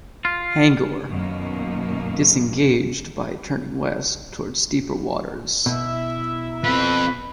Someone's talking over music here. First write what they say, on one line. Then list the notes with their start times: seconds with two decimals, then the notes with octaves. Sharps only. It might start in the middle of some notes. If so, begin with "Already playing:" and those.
"Hangor" disengaged by turning west towards deeper waters.
0.25 F4
1.10 F#2 B2 D#3 A#3
5.66 B2 E4 E5
6.64 F3 C4 B4